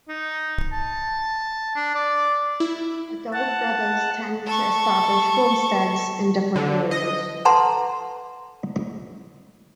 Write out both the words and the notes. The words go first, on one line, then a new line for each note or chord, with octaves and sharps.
Adult brothers tend to establish homesteads in different areas.
D#4
A5
D4
D5
E4
F#5 A5
A4 C#6
D3
D#5
A4 B4 F#5 A5 A#5 C6